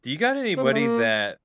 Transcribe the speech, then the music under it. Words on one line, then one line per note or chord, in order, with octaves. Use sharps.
Do you got anybody that, uh,
C4
A#3
A3
A#3